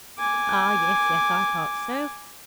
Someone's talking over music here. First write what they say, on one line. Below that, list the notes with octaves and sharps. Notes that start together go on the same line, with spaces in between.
Ah, yes, yes; I thought so.
G#5 D6